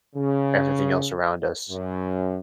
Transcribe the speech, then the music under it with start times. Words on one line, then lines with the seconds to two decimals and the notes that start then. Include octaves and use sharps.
everything else around us.
0.15 C#3
1.69 F#2